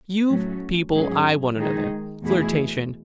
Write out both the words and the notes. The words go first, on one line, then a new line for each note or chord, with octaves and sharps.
You people eye one another.... Flirtation.
A2 F#3 A3 C#4
G#2 F#3 C#4 G#4
D#3 G#3 D#4 G#4
E2 B2 A3 E4 G#4